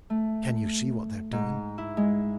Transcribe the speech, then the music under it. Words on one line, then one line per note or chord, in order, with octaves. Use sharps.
"Can you see what they are doing?"
A3
G#2
E4
G#3